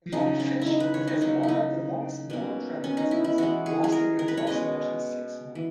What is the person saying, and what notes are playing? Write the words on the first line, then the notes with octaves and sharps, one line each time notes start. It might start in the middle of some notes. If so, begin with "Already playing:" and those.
Among fish it has one of the longest known pregnancies, lasting approximately six months.
C#3 F#3 C#4 D#4
C#4
D#4 E4
B4
C#5
D#4
C#3 F#3 A#3 D#4
D#4 E4
B2 A#3 C#4
C#4
D#4
E4
E4
E3 G#3 B3 F#4
G#4
G#4
A#4
A#4
B4
C#5
B2 G#3 C#4 D#5
E3